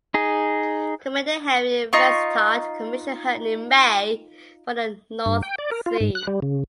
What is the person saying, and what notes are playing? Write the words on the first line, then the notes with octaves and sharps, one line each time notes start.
Commander Henry Vansittart commissioned her in May for the North Sea.
D#4 G#4
D#4 F4 C#6
G2
G5
D5
A#4
F4
G#2
F#6
G3
C#3